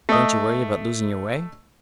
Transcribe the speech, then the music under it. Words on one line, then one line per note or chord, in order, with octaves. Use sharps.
"Don't you worry about losing your way?"
A3 D#5